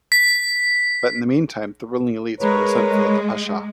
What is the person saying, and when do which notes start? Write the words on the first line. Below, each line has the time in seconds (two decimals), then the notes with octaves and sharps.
But in the meantime, the ruling elites were resentful of the Pasha.
0.12 B6
2.40 G#3 A#4 B4 C#5